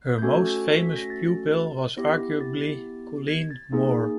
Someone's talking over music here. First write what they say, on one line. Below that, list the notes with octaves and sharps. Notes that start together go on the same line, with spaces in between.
Her most famous pupil was arguably Colleen Moore.
G6
A3 C#4 F#4 A4 G#6
B6
A#6
A6
B3 E4 G4 A#6
A6
G#6
A6
A#3 D#4 G#4